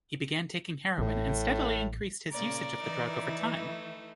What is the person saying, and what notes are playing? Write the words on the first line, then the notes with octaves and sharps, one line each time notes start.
He began taking heroin and steadily increased his usage of the drug over time.
A1 A2
A#2 C#3 A#4 D5
E3 D#4 E4
A3